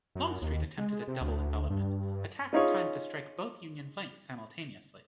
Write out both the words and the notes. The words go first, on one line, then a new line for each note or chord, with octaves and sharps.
Longstreet attempted a double envelopment: attacks timed to strike both Union flanks simultaneously.
F#2
D#2
G#3
C3
D2
G2
C#4 D#4 F4 G#4 C#5